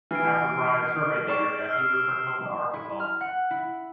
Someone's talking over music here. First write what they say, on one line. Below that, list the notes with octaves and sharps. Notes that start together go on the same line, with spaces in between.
After Bryan surveyed the area, he returned home to Arkansas.
E3 F6 C7 D7
D5 C#6 E7
E6 F6 C7
E4
F6
F#5
E4